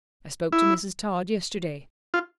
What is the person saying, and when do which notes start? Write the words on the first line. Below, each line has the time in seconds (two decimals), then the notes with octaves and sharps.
I spoke to Mrs. Tod yesterday.
0.52 E4
2.14 F4